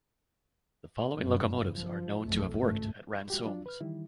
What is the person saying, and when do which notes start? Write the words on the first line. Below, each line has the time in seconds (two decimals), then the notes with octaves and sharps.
The following locomotives are known to have worked at Ransomes.
1.14 G1 F#2 C#3
1.74 F3
2.25 B1 F2 A3
2.58 G#1 C#2 G2 A3
3.30 G#3 F#4 G4
3.46 F#3 D4 F4
3.66 B4 F6
3.80 D#3 E3 G3 E4